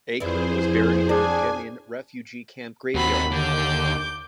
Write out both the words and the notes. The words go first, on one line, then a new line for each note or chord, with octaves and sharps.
Akram was buried in the Jenin refugee camp graveyard.
F2 E3 D4 E4 G#4 C5
D4 G#4 D5 G#5
D#2 D#3 C4 F#4 B5
D3 D6 G6